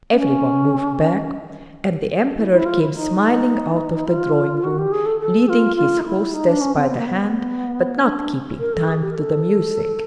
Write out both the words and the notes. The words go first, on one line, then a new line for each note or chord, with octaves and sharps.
Everyone moved back, and the Emperor came smiling out of the drawing room leading his hostess by the hand but not keeping time to the music.
C#4
E4
E4
F4
E4
D#4
F4
F#4
G4
G#4
A4
A4
F4
F4
D#4
E4
D#4
D4
C#4
C4
B3
A#3
B3
D4
A#4
A4
G#4
G4
A#4
A4